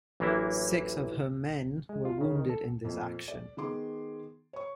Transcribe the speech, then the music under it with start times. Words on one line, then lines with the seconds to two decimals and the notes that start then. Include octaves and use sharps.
Six of her men were wounded in this action.
0.20 A1 E3 F#3 A#3 D4 E4
1.89 G#3
2.05 F4
2.21 C#3
2.35 D#3
2.50 A4
2.85 F2 A#2
3.28 D5
3.57 D#3 B3 G#4 C6 D6
4.53 C#5 C#6